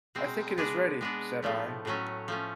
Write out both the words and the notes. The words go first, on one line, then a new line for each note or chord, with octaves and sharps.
"I think it is ready," said I.
B2 G#3 C4
G#3 B3 D4
G#3 B3 D4
A2 F3 A3
A2 F#3 A3 C#4
F3 A3 C#4